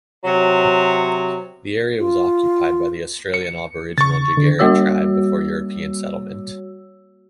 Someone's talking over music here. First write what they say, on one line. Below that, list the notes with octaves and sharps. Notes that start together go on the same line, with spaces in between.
The area was occupied by the Australian Aboriginal Jagera tribe before European settlement.
C3 F#3
F4
C#7
C#3 C#6 A6
D3
G3 A#3 F#4 C#5 E6